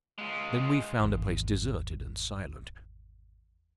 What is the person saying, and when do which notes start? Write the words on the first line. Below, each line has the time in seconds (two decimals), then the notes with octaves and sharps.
Then we found a place deserted and silent.
0.18 G#3 F4
1.00 G#1 E2